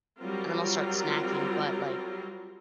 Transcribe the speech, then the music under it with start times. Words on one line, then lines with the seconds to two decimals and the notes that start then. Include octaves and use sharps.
and then I'll start snacking, but, like,
0.19 F#3 G3 C4 F4 A#4